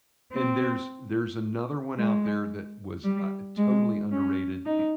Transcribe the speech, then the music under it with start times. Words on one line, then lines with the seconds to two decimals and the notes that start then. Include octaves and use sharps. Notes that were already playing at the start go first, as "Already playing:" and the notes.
and there's there's another one out there that was, uh, totally underrated,
0.32 C4
1.95 G#3
3.04 G3
3.58 G#3
4.12 C#4
4.66 D#4